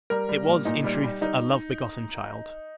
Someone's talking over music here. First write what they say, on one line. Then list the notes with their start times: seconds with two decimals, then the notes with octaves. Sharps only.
It was, in truth, a love-begotten child!
0.10 G3 A#4
0.29 G3
0.47 A#2
0.65 A#2 D#4
0.84 G3
1.03 G3
1.21 G3 D#4